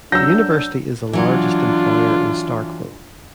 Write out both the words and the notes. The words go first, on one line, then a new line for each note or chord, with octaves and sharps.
The university is the largest employer in Starkville.
F#3 D4 E6 G6 A#6
E3 F#3 D4 F4